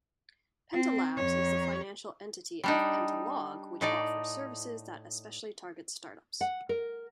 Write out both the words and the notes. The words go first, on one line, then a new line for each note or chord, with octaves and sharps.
Pentalabbs is the financial entity of Pentalog which offers services that especially target start-ups.
C4
F2 C#5
G3 D4 D#4
A2 D#4 D5
F#5
A#4